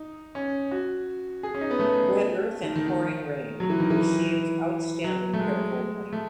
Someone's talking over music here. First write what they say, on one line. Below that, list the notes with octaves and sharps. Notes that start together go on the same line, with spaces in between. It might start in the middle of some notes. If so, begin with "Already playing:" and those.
"Red Earth and Pouring Rain" received outstanding critical acclaim.
Already playing: D#4
C#4
F#4
G#4
C#4
D#4
B3
A3
D#3
D#3
D#3
F#3
E3
D#3
E3
F#3
A3
G#3
A3